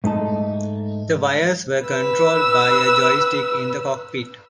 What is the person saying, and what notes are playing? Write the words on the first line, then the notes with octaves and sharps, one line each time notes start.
The wires were controlled by a joystick in the cockpit.
G#2 A3 D#4 A4
B4 E6